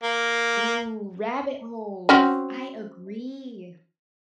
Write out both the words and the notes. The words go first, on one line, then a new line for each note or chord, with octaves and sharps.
Ooh, rabbit holes, I agree,
A#3
C4 C#4 F#4